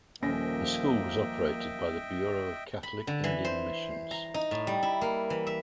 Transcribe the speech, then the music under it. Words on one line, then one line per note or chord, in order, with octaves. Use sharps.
The school was operated by the Bureau of Catholic Indian Missions.
D#1 F3 A#3 C#4 D#5 E5 G5 A#6
B5
D3
E3
C5
A#5
D#4
A2
G3
E4
A#3
E3
E5